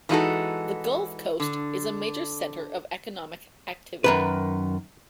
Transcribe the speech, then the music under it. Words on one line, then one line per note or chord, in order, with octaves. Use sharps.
The Gulf Coast is a major center of economic activity.
E3 G#3 D#4 F4 F#4 A4
D3
F#2 D#3 B4